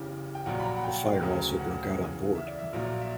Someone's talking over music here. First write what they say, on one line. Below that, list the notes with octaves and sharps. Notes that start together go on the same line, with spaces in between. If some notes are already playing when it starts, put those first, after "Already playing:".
A fire also broke out on board.
Already playing: F#1 E2 C#3 E3 G4
G5
A#1 A#2 F#3 F#5
B5
A#5
F#5
G5
D2 C#3 F#3
F#5
E2 C#3 E3
E5
D5
E5
A#1 A#2 F#3
E5